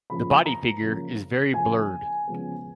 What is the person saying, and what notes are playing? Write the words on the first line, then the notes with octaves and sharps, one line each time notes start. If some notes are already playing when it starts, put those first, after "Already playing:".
The body figure is very blurred.
C#3 F3 A#3 B5
A#5
C#3 F3 A#3
C#3 F3 A#3 G#5
C#3 F3 G#3 B3